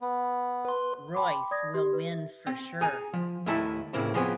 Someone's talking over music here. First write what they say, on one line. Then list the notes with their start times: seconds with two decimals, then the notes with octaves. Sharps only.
Royce will win for sure.
0.01 B3
0.65 B4 C6
1.14 G5 A5 B5 C6 D6
1.51 D5 D#6 G#6 A#6
1.74 G4 C6
1.93 B4
2.11 E5
2.47 C4
2.81 G#4 G#5 A#5
3.14 F3
3.46 D#2 D#3 A3 E4 E5 A5
3.93 A2 C#3 A#3 C4 E4
4.14 F3 B3 C4 G#4 B4 C#5